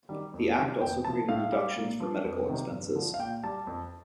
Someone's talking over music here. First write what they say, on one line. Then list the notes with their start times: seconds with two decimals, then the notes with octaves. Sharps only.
The Act also created deductions for medical expenses.
0.09 D#3 G3
0.34 F2
0.56 C3 D#3 G3
0.80 F2 G5
1.05 C3 F3 A5
1.29 A2 F5
1.52 G3
1.76 A#2
2.00 F3
2.25 F2
2.48 C3 D#3 G3
2.71 G2
2.96 D3 F3
3.14 F5
3.19 A#2 G5
3.43 G3 A5
3.67 F2